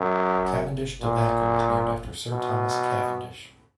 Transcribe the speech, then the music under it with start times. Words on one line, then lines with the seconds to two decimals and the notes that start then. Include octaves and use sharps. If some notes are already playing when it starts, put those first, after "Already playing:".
Cavendish tobacco is named after Sir Thomas Cavendish.
Already playing: F#2
1.02 A#2
2.30 B2